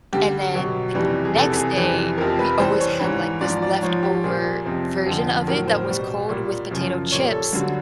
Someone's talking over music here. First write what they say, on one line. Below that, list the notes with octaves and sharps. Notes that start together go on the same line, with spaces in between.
and then the next day we always had, like, this leftover version of it that was cold with potato chips
G2 D3 G3 G4
B2 F#3
F2 C3 E3 G3
G#4
E2 C3 E3 A4
G#4
F2 C3 E3 G3
F2 C3 F3 A#4
B4
G2 E3 G3 C5
C#5
G#2 E3 G3
G#2 F3 D5
D5
G#2 F3 C#5
G4
A#2 G3 G#4
F2 C3 F3
F2 D3 F3
A2 F#3 A#4
C5
B2 G3
A#2 G3
F#2 C#3 F3
A#2 G3 C#5
A4
G2 D3 F#3